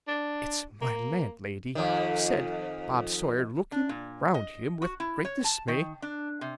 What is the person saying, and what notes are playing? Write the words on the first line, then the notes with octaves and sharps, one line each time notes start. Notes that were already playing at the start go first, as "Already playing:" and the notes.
'It's my landlady,' said Bob Sawyer, looking round him with great dismay.
D4
A#3
F2 D#3
D4
A#2
D#5
F#4
E4
C#5
A5
D#3
D4
C3